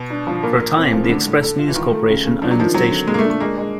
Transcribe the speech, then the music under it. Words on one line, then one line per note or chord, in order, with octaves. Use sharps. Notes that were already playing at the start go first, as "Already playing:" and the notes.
For a time the Express News Corporation owned the station.
Already playing: B2
D4
F3
A#2 A#4
A#4
C4
F3
C#3
A2 D3
A2
A4
F4
E3
D#3 F4
A3
C#3
C#3
F3 D4
F#3
D#3 F3
F#3 C4
D3
A#2 G#3
A#3
A3
D4
A3
G#3 A#3
G#3